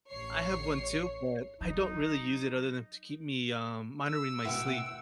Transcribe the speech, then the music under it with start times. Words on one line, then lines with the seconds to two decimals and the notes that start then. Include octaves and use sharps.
I have one too, but, I don't really use it other than to keep me, um monitoring my sleep.
0.11 A1 C#5 C7
1.61 F#3 D#4
4.06 E6
4.45 B2 B3 E4 F#5 G5